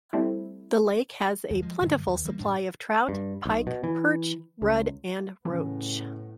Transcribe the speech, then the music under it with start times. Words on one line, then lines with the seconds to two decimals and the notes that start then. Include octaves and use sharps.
The lake has a plentiful supply of trout, pike, perch, rudd and roach.
0.13 G3 A3 C4 E4
1.50 D#2
1.62 F3 G#3
1.80 G2 D3 F#3 G#3
2.07 D#2
2.25 E3 G3 G#3 A#3
2.39 G#2 D4
3.09 G2
3.45 B1
3.67 B2
3.84 E3
4.62 C#2
5.45 A2 C#3 E3 B3 C#4